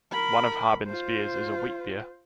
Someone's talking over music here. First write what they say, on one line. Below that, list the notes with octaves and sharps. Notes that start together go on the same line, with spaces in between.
One of Harbin's beers is a wheat beer.
A#4 B5
F4 C5